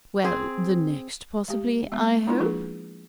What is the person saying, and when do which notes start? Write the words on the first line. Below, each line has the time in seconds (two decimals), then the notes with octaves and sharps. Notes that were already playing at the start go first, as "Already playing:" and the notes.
'Well, the next possibly, I hope?'
0.24 C4 G#4
1.48 G#3 G4
1.92 G#3 B3 E5
2.27 G#3 D4 E4 F4 A#4
2.40 F3 A#3 D4 G#4 B4